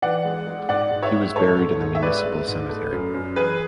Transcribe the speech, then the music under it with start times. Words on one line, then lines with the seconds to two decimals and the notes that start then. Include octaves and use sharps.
He was buried in the municipal cemetery.
0.02 E3 D5 F#5
0.25 G#3
0.47 G#3
0.69 G#2 D5 F#5
0.91 G#2
1.02 C#5 E5
1.14 G#3
1.36 G#2 A4 C#5
1.58 G#2
1.80 G#2
1.95 E5
2.02 G#3 B4 D5
2.26 G#3
2.48 G#2
2.69 A3
2.92 F#2
3.14 F#2
3.36 E3 G#4 B4